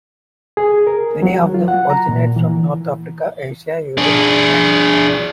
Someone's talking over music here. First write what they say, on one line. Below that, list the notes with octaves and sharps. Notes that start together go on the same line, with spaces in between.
Many of them originate from North Africa, Asia, Europe, and Latin America.
G#4
A#4
F#3
F4
F#5
A#5
A#2
E3
D4 G#4